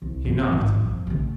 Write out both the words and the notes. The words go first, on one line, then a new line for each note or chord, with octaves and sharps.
He knocked.
C2
G2 F3
G#1 A2
F2
C#3 A3